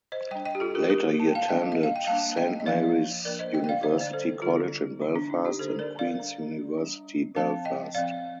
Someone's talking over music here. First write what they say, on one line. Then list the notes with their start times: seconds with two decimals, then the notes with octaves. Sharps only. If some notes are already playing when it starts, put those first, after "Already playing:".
Later he attended Saint Mary's University College in Belfast and Queens University Belfast.
0.12 C5 D#5
0.31 G3 D4 D#5 G5
0.45 D#5 G5
0.55 G4
0.60 F4 A4
0.75 G4 A#4
0.90 G3 D4 G4 A#4
1.20 A5
1.27 G5
1.35 F5 A5
1.48 G3 A#3 D4 D#5 G5
1.72 D#5
1.83 F5
1.96 G5
2.07 G3 A#3 D4 F5 A5
2.37 D#5 G5
2.60 D#5
2.66 F3 A#3 D4 D5 F5
3.25 F3 A#3 D4 A#4 D5
3.39 C5 D#5
3.54 D#5 G5
3.64 G5
3.69 D5 F5
3.83 D3 G3 D4 C5 D#5
4.01 D5
4.13 A4 C5
4.42 D3 G3 D4 F4 A4
5.00 D3 G3 A#3 D4 D#4
5.15 D4
5.30 D#4
5.45 D#4 G4
5.59 D3 G3 A#3 D4 A4 C5
5.79 A#4 D5
5.99 D5 F5
6.19 G3 D4
6.77 G3 D4
7.35 F3 C4 F5 A5
7.65 D#5 G5
7.95 F3 C4 D5 F5